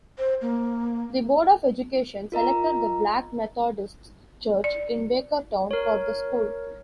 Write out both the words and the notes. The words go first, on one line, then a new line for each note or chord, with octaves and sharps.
The Board of Education selected the Black Methodist Church in Bakerton for the school.
C5
A#3
F4 A#4 D#5 A#5
D5
A#4 C#5